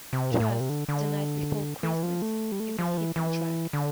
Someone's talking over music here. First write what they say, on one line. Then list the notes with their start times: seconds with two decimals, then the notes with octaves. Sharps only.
"Twas the Night Before Christmas" is a hidden track.
0.13 C3
0.31 A#2
0.40 A2
0.50 A#2
0.60 C3
0.69 D3
0.88 D3
1.83 E3
2.03 F3
2.22 A3
2.52 G3
2.60 A3
2.79 F3
2.97 E3
3.16 E3
3.73 D3